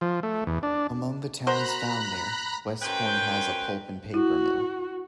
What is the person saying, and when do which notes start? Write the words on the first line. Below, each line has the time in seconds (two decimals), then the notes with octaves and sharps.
Among the towns found there, West Point has a pulp-and-paper mill.
0.01 F3
0.23 A3
0.47 E2
0.63 D4
1.47 F#4 A#4 C5 A#5 B5 F#6
2.82 F#2 B4 C5 G5
4.14 E4 F#4